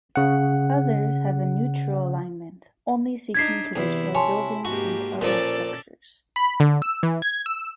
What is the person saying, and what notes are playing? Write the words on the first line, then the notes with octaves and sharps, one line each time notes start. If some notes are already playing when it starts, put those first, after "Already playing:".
Others have a neutral alignment, only seeking to destroy buildings and other structures.
C#3 F#5
D4 D#4 G#6 B6 C7
E2 C3 E4
C#5 G#5 A5 C6
G#2 A#3 F#4 G4
A#2 F3 C#4 A4 D5
B5
D3
E6
E3
G#6
E6